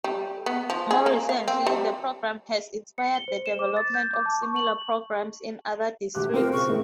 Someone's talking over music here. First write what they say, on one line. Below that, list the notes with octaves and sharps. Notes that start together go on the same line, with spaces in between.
More recently, the program has inspired the development of similar programs in other districts.
G3
B3
F3
G#4
A#3
F5
C4
G3
C#7
G7
C5
E7
D6
A6
G6
D6
A5
C#6
F#7
D2 G4 D6 F#6
C4 F4 A#4 C5
C#3 C#6
A1 A2